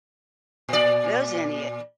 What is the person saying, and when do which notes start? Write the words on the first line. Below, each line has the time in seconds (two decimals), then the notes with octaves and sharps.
there's any o
0.69 A#2 D5